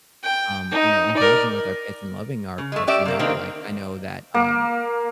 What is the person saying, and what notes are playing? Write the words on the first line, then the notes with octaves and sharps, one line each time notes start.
um, you know, indulging with our pets and loving our pets, you know, like, I know that, um,
G5
D#4
A#4 D5
C#3
G#3 A3
C#4 G4 D5 E5
C3 A#3
D#3 A#3 C4 D4
A#3